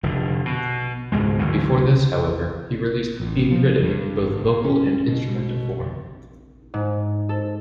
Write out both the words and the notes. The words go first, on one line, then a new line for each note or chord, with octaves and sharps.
Before this, however, he released "Being Ridden" in both vocal and instrumental form.
F1 D3
B2
C#2 G#2 B2 G#3
D2 D3 E3 F#3
A1
F3
G2
G#1
A#2
C#4
B2
G#2
A4